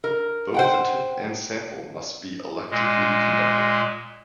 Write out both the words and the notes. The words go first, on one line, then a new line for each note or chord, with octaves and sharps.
Both the tip and sample must be electrically conductive.
A#4
C5 F#5 G5
A#2 G#3